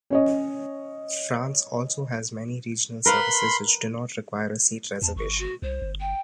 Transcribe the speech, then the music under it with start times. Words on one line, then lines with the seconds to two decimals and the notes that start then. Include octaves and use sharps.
France also has many regional services which do not require a seat reservation.
0.10 C#4 C#5 D#5
3.06 A#4 B4 F5 B5 C6
5.02 E2 A5
5.16 G1 C#6
5.38 F#4
5.62 C2 C5
5.82 G1
6.00 G5